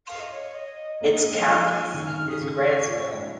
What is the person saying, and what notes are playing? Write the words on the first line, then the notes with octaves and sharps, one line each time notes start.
Its county seat is Grantsville.
F5
D#5
C#5
C#5
D#5
A#3
D#5
G#3 D#5
F5
F3 F5
G#5
D#3 C#6
F6
D#3
F6
D#3 D#6
C#3 C#6
A#2
G#2